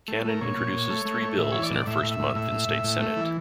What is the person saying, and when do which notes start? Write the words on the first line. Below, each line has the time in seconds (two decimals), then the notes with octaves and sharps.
Cannon introduces three bills in her first month in state senate.
0.08 A3
0.25 A3 A#4
0.41 A#2 C#5
0.57 A#2
0.73 A#2
0.90 A3
1.05 A3
1.22 A3
1.38 A2 E5
1.52 E3 C#5
1.63 D5
1.71 A2
1.87 A2 E5
2.03 A2
2.11 E5
2.20 A2
2.35 A2 E5
2.52 A2
2.68 A2
2.84 A2
3.00 A3
3.16 E3